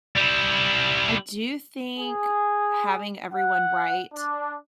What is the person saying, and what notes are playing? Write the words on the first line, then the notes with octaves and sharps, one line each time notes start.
I do think having everyone write
G3 E4
G#4
F#5
D4